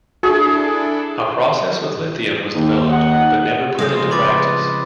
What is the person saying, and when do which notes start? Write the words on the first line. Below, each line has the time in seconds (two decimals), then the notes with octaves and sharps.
A process with lithium was developed, but never put into practice.
0.23 D4 E4 F#4 G#4 A4
2.55 D#2
2.90 D#5 F#5
3.79 C#3 F3 G#3 C4 F4 D#6 A#6
4.11 B4 C6 D6 A6